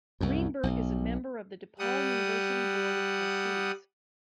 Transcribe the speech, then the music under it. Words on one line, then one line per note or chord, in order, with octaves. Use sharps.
Greenberg is a member of the DePaul University Board of Trustees.
C2 F#2
B1
G3 F#5 D#6